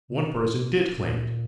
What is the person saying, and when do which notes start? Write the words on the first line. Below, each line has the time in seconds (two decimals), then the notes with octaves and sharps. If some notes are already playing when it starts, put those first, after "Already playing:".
One person did claim it.
0.11 C3
0.98 A#2